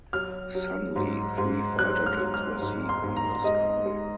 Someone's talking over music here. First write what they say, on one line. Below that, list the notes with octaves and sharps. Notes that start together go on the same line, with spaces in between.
Suddenly three fighter jets were seen in the sky.
F#3 F6
F#3
G#2
G#2
F#3 F#6
F6
F#3
F6
G#2
C6
G#2
A#5
G#3 D#5
G#3